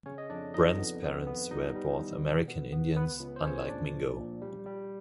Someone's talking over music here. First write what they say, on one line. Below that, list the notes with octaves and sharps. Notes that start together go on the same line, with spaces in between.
Brant's parents were both American Indians, unlike Mingo.
C#3 C#4 C#5
D#5
F2 D4 D5
F2 D#4 D#5
B3
B3
B3
G3 D#4 D#5
G3
E3
B2
B3
B3
C#2 B3 B4
C#2
C5
C#3 C#4 C#5
A#2 D4 D5
F3
A#2
G3
G3